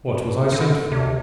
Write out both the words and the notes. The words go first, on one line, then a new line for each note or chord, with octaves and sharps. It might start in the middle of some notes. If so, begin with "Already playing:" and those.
"What was I sent for?"
D3
C3